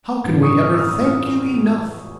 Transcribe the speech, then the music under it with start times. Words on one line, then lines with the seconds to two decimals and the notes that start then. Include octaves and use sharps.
"How can we ever thank you enough?"
0.24 A1 G2 E3 G3 C4
0.42 C#6 D#6
0.60 D#6 F6
0.74 E6
0.78 D#6 F6
1.05 D#6 F6